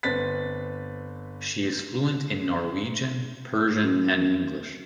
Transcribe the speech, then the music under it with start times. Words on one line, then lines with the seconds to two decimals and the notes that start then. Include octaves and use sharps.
She is fluent in Norwegian, Persian and English.
0.03 G1 C4 B4 A6 B6
3.84 F#2